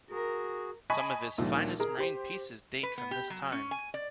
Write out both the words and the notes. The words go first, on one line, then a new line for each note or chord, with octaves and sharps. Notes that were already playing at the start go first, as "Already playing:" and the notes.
Some of his finest marine pieces date from this time.
F#4 G#4 A#4
D#5 G#5 A5 B5 C#6 B6
D2 A#2 D#3 F3 G3
G#4 A#4 A#5
G4 C5
B4
B3
G4
F#3
C#4
G#5
D5